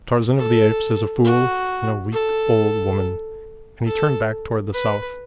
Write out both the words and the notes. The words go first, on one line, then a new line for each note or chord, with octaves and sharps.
"Tarzan of the Apes is a fool and a weak, old woman," and he turned back toward the south.
A4
F#4
A4
A4
B4